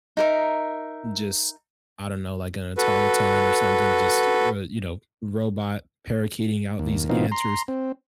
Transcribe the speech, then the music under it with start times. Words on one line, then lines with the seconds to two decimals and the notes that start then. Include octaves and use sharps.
just, I don't know, like an automaton or something, just r r you know, robot parakeeting out these answers.
0.17 D#4 A#4 E5
2.77 F#4 A4 B4
6.79 D#2
7.10 B2 E3 A#3 C4 D#4 F4
7.32 A#5 C6
7.68 C4